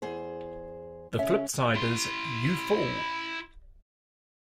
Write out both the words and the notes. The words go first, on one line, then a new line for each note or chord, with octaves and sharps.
The flip side is "You Fool".
E2 G#4 C5
C#3 C#4 E5
E4 C6